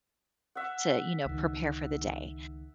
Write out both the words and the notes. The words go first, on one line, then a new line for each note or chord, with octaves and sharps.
to, you know, prepare for the day,
E5 F#5
C#2 D#3